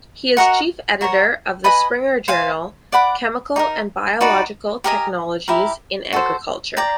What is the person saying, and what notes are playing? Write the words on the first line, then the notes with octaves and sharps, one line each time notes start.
He is chief editor of the Springer journal "Chemical and Biological Technologies in Agriculture".
F#4 A#4 D#5 F#5
F#4 A#4 C#5
B4 D#5 G#5 B5
C5 F5 G#5
D5 F#5 B5 D6
D#4 G4 A#4
D#4 F#4 B4 D5
G4 A#4 D#5 G#5
E4 G4 A#4
F#4 A4 C5
D5 G5 A#5